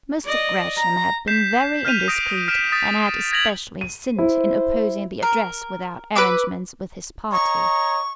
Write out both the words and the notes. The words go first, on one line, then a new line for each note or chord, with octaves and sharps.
Mr. Gresham had been very indiscreet, and had especially sinned in opposing the Address without arrangements with his party.
D5 D#5
A#5
G6 B6 C7 E7
F6 G6 B6 D#7 F7
D#6 A#6 D7
F6 B6 D7 E7
D#6 A6 B6
G#6 A#6 F7 F#7
D#7
E4 C5
A#4
B4 B5 D6 E6
C#5 D#5 A#5 C#6